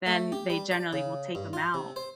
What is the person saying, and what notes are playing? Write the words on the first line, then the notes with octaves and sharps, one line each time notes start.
then they generally will take them out.
A3
G4
G3
D5
C#3
G2
F4
C3
C5